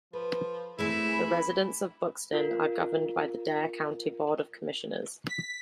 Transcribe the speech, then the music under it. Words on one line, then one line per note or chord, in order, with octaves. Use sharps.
The residents of Buxton are governed by the Dare County Board of Commissioners.
F3 B4
A3 C4 E4 G#4 B4
B5
E3
F4 A#4
B6